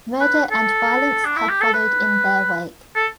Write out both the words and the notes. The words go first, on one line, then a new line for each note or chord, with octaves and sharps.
Murder and violence have followed in their wake.
B4
A4
D4
E4
G4
A4
B4
A4